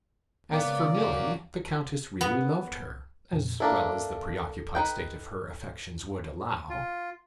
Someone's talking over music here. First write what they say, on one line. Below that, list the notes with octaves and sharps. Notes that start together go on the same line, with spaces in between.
As for Milly, the Countess really loved her as well as the preoccupied state of her affections would allow.
G#2 C#3 A#3 B3 D5
C#4 F#4
B3
F2 A#2
A#3 D4 E4 A4
D#4 B4 G5
F4